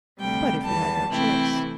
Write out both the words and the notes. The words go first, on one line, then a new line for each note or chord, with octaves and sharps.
"But if he had no choice?"
D2 C3 G3 G5
E2 E3 G3 A5
C3 E3 A3 C4 E4 G5